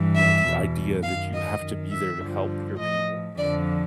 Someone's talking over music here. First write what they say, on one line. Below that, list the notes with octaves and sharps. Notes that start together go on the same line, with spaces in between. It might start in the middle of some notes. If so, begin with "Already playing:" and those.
you know, the idea that you have to be there to help your people,
Already playing: G2 E3
E5
E2 B2
F#2 D#3 F5
D#5
F#2 D#3
E5
G2 D3 F3
A2 F3 D#5
F2 D3 F3 D5